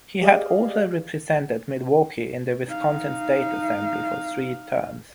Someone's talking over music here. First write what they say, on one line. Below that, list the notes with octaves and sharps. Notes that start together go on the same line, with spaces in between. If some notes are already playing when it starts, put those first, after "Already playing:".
He had also represented Milwaukee in the Wisconsin State Assembly for three terms.
G4 G#4 D5 D#5 F5
D#4 F5